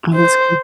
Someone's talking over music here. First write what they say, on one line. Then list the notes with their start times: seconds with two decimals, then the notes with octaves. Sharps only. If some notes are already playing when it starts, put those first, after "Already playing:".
Oh, that's cool.
0.15 C5